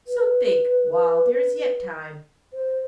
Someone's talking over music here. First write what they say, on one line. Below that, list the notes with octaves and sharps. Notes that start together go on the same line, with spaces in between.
So think, while there is yet time.'
B4
C5